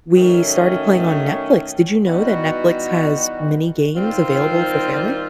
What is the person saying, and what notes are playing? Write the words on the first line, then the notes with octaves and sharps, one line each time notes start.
we started playing on Netflix. Did you know that Netflix has mini games available for family?
D#3 F#3 A3 C#4
E3 G3 B3 D#4 F#4
D#3 G3 C4 F4